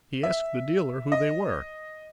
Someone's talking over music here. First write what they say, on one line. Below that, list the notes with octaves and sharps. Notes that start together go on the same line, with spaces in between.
He asked the dealer who they were.
E5
D#5